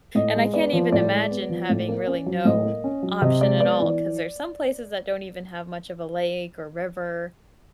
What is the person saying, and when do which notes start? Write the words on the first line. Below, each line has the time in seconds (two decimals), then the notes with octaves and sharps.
And I can't even imagine having really no option at all, 'cause there's some places that don't even have much of a lake or river,
0.15 A2 D#5
0.35 G#3
0.54 B3 D5
0.73 F3
0.92 A2 D5
1.11 G#3
1.31 B3
1.49 F3
1.69 A2
1.88 A#3
2.07 C#4
2.26 F#3
2.45 A2 D#5
2.65 A#3
2.84 C#4
3.03 F#3
3.22 C3 D#5
3.41 G#3 D5
3.60 B3 D5
3.80 E3 D5